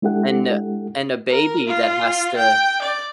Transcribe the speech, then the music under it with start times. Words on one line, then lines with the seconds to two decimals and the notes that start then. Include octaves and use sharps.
And a and a baby that has to
0.02 G#3 D4 E4 G4 A4 F#5
1.31 A#4
1.68 F4
2.36 G5
2.82 D5